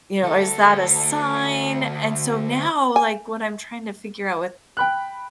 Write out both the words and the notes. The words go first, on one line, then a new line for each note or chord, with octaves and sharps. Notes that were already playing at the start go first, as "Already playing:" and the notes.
you know is that a sign?" And so, now, like, what I'm trying to figure out with
D2 A4
G#5
G5 B5 F#6